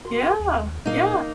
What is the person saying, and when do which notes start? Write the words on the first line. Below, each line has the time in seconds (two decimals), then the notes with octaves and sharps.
Yeah, yeah.
0.05 F#4 A#4 C6
0.40 D#2
0.86 A#2 A#3 D#4